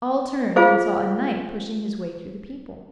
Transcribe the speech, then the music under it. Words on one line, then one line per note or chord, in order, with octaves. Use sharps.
All turned and saw a knight pushing his way through the people.
F4 G#4 C5 F5